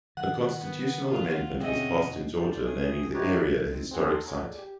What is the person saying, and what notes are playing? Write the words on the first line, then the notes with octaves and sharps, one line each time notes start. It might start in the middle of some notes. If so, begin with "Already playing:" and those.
A constitutional amendment was passed in Georgia naming the area a historic site.
D#3 F#5
B3
F4
B2 D3 C4 C#4 G#4 D#5 E5
C5 D5
A2 A3 G#4 D#6
E3 F#3 D#4 G4 B4 C#5
C4 D#4
C4 G#4 A4 F#5 G#5
G5 A5 C6 D#6 E6
A4 C#5 F#5 G#5 A#5
G#4 D5
G4